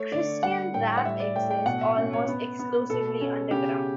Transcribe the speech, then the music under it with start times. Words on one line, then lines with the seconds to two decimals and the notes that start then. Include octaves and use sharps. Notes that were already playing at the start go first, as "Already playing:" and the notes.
Christian rap exists almost exclusively underground.
Already playing: A3 C#5
0.12 D3 D5
0.43 G3 F#5
0.74 A2 G5
0.97 F#5
1.04 G3 E5
1.20 D5
1.36 A2 G5
1.51 G5
1.66 B2 F#5
1.81 E5
1.97 C#4
2.13 C#5
2.28 B3
2.59 B3
2.90 B2 A4
3.21 C#4
3.51 C#3 G4